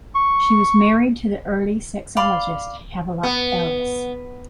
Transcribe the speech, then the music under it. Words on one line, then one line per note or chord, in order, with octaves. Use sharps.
She was married to the early sexologist Havelock Ellis.
C#6
D5 F5 B5 C6
B3